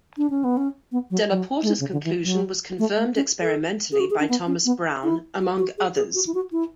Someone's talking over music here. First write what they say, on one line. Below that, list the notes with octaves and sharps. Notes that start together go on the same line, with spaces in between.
Della Porta's conclusion was confirmed experimentally by Thomas Browne, among others.
D4
C#4
B3
C#4
B3
F#3
F#3
A3
G#3
C#3
D3
E3
F#3
A3
A3
C#4
A4
G#4
F#4
G#4
D4
B3
C#4
B3
E4
F#4
F#4
G#4
G#4
F#4
E4
F#4
E4